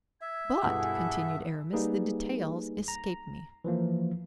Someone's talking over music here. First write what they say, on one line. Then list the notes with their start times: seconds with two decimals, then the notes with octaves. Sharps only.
"But," continued Aramis, "the details escape me."
0.21 E5 G#6
0.63 G2 B2 E4 G#4 A4 F#5
1.73 G3 A#3 D#4 G#4 B4
2.88 A#5
3.64 E3 F3 A#3